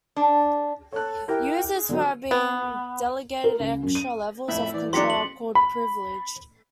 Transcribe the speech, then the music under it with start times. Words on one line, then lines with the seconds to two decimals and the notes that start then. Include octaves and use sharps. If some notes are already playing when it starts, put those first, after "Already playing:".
Users who have been delegated extra levels of control are called privileged.
0.16 D4
0.93 A4 C#5 F#6
1.28 E4 G4 A#4 G5
1.73 G#4
1.89 D3 F#3 C4
2.31 B3
3.44 A#4
3.59 C#2
3.83 F#2
3.95 D#7
4.48 F2 A2 E5 B5
4.74 E3 D5
4.93 F#3 G#3 D4 G4 A#5 C6 B6 C#7
5.10 F2 F#7
5.55 B5